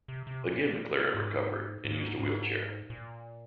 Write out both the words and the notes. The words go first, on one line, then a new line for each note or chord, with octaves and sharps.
Again MacLaren recovered, and used a wheelchair.
C3
C3
A#2
G#2
G#2
G#2
A#2